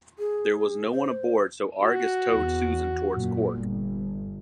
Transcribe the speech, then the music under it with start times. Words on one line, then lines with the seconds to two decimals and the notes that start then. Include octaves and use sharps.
There was no one aboard so "Argus" towed "Susan" towards Cork.
0.19 G#4
0.92 C5
1.83 F#4
2.33 E2
3.11 F#2 A#2
3.56 G1